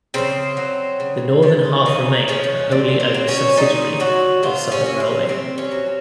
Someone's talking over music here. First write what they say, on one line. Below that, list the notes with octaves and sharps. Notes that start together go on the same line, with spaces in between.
The northern half remained a wholly owned subsidiary of the Southern Railway.
C#3 C4
F#3
C#3
F3 G#3
C#3 D#4
F3 G#3 C#4
A#2 C4
C4
F#3
C#4
A#2 D#4
F#3 F#4
C3 F4
C#4
F#3
C4
C3 C4
C#4
F#3